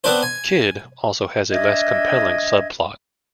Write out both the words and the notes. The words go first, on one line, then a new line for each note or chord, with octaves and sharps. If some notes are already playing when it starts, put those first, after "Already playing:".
"Kid" also has a less compelling subplot.
B3 C4 D4 B4 C5
G#5
D4 D#5 E5 G#6